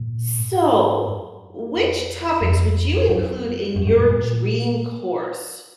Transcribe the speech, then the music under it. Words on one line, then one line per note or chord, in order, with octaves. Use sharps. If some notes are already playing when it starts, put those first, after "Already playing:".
So, which topics would you include in your dream course?
Already playing: A#2
G#2
F#2
F2
F2
F#2
F#2
F#2
A#2
A#2